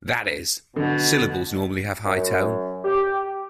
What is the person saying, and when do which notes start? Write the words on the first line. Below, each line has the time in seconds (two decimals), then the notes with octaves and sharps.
That is, syllables normally have high tone.
0.76 B2 D3
2.06 F#2
2.85 G4